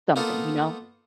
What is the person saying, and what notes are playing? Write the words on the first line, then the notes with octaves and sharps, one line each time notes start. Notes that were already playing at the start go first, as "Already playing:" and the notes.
something, you know?
A#3 B3 D#4 F4 A4